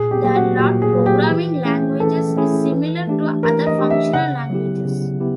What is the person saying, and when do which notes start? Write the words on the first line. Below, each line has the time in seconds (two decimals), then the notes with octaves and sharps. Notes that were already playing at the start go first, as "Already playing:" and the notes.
The Lout programming language is similar to other functional languages.
Already playing: A#2 G#4
0.11 G4
0.23 F#3 A#3 G4
0.36 F#4
0.59 A#2 G4
0.82 G#4
0.94 F#3 A#3
1.06 G4
1.30 E3
1.65 A3 C#4 E4 G#4
2.00 E3 A4
2.36 A3 C#4 E4 G#4
2.72 E3
3.07 A3 D4 G4
3.43 E3 A#4
3.67 D#5
3.79 A3 D4 G4
3.90 E5
4.13 C#3 F#5
4.50 F#3 B3 E4 G4
4.85 C#3
5.20 B3 E4 G4